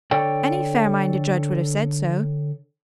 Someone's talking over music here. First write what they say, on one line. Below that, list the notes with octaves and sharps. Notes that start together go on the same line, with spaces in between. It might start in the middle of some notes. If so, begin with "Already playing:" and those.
Any fair-minded judge would have said so.
D3 A4 C#5 D5 G5